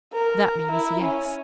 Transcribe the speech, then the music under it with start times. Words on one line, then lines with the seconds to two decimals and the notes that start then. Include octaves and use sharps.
That means yes.
0.13 A#4
0.72 E4
1.02 C#4